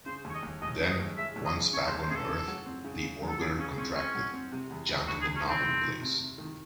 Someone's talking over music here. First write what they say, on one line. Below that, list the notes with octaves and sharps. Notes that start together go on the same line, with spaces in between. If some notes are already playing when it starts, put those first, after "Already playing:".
Then, once back on Earth, the Orbiter contracted, jamming the knob in place.
C#3 C5
D#2 C#5
D#5
D#2
D#2 D#5
C#3
D#5
D#2
G#3 E5
D#2
D#5
C#3
C#3 C#5
C5
D#2
C5
C#3 G#4
A4
C#3
F#3
C4
C#3
C#3
F#3
A4
C#3 G#4
C#3 C#4
C4 C#4
C4 C#4
F#3
C4
C3
E2
E2
E2 F#4
G#4
E2
C#4
D#3 C4
E2
D#3
C3
C3
D#3